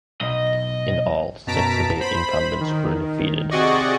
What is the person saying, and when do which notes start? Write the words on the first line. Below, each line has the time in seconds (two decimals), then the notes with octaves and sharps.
In all, six of eight incumbents were defeated.
0.21 B1 D#5
1.47 F#2 B2 A5 A#5 B6 D7
2.00 C5 B5
2.61 D#3
3.51 C3 F#4 G#4 D5 D#5 C#6